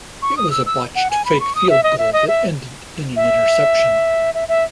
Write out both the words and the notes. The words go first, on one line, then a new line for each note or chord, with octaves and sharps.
It was a botched fake field goal that ended in an interception.
C#6
D#6
E6
E6
F#5
G#5
B5
C#6
D#6
E5
D#5
E5
D#5
E5
E5
E5
E5